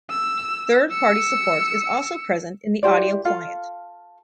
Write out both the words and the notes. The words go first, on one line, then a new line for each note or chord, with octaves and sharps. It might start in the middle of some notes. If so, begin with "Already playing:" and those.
Third-party support is also present in the audio client.
E6
E6 C#7
E4 G4 C5 D5
F4 A4 F5